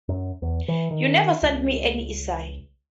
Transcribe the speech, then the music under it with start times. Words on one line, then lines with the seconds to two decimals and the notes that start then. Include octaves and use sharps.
You never sent me any essay.
0.09 F#2
0.42 E2
0.68 E3
0.91 D#3
1.42 C#2